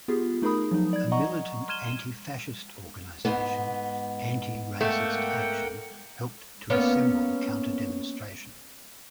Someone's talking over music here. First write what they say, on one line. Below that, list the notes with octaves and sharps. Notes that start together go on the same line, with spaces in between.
A militant anti-fascist organization Anti-Racist Action helped to assemble the counter-demonstration.
B3 F4 G4 G#4
A3 D#4 G#4 A#4 B5 D#6
F3 F#3 D#4
D5 G#6
D#5 F#5 A#5 C#6
C6 F6 G#6 D#7 E7 G7
G#2 B3
A3 A#3 F#5 G5
A#3 B3 C#4